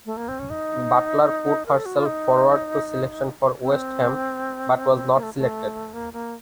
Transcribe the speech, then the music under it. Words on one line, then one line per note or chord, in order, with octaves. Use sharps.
Butler put herself forward for selection for West Ham but was not selected.
A3
A#3
C4
C#4
D#4
A#4
A4
F#4
F4
D#4
C4
A#3
A3
A3
A#3
A#3